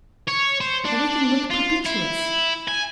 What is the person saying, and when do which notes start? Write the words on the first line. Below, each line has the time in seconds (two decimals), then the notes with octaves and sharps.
Everything looked propitious.
0.28 C#5
0.61 C5
0.85 D4
1.50 F4
1.86 E4
2.68 G#5